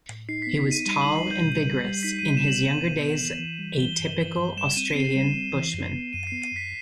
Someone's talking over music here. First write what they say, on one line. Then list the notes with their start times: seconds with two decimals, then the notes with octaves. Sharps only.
He was tall and vigorous, in his younger days a typical Australian bushman.
0.09 A2
0.29 D#4 C7
0.42 B6
0.47 B3
0.57 B6
0.67 D#4 D#7
0.86 G3 D#7
1.01 F#7
1.05 D#4
1.16 C7
1.26 G3 G6
1.45 B2
1.65 G3
1.85 G3
2.03 D#4 B6
2.19 D#7
2.23 G3
2.37 E7
2.43 B2 F#7
2.62 B3 E7
2.81 B2
3.00 B3
3.21 E3
3.40 E3
3.59 G3
3.79 E3 G7
3.99 G2
4.18 E3
4.38 G2
4.57 G3 E7
4.77 C4 D#7
4.95 C4 C7
5.15 G3
5.35 C4
5.54 E3
5.74 F#2
5.93 B3
6.13 F#2 D#7
6.27 C7
6.32 B3
6.42 D#7
6.52 F#2 B6